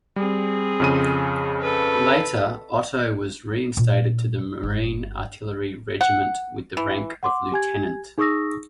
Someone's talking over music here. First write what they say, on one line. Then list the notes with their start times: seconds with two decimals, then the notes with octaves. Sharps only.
Later Otto was reinstated to the Marine Artillery Regiment with the rank of lieutenant.
0.16 G3 C4 G#4
0.80 F2 C#3 D#7
1.61 A4 B4
3.77 A#2 D4
4.63 G1
6.01 F#5
6.77 E3
7.23 F#5 C6 D6
7.52 G4 G#5 G#6
8.18 D#4 G#4 C#6 D#6 E6 A#6